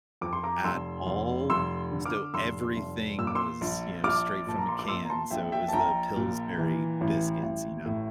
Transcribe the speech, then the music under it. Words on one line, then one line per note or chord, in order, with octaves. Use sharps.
at all, so everything was, you know, straight from a can. So, it was the Pillsbury biscuits, you know.
F2 D6
C6
A#5 D6
F1 C6 E6
F1
F1 C6 E6
D3
D6 F6
F1 C6 E6
F1
A#2 E6
D6
C6 E6
A#1
A#1 D6 F6
A#2 A5
A#5
C6
D6
A#2 C6 E6
A#5
A5 C6
A#1 E5 G5
E5 G5
A5
A#1 G5 A#5
A#2
E3
A1
A1
A2